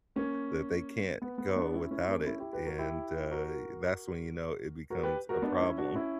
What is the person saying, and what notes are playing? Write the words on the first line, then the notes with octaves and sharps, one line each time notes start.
that they can't go without it, and, uh, that's when, you know, it becomes a problem.
A#3 C#4
B3
B3
B3 D4
C#4 E4
C#4 E4
A#3 C#4
C#4 E4
E4 G4
G4 B4
F#4 A#4
E4 G4
F#4 A#4
F#4 A#4
G4 B4
F#4 A#4
B3 D4
C#4 E4
D4 F#4
C#4 E4